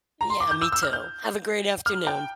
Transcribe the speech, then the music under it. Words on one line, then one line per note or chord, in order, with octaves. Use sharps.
Yeah, me too. Have a great afternoon.
A#5
C6
D6
G6
E6
E6
F6
G6
F6
G5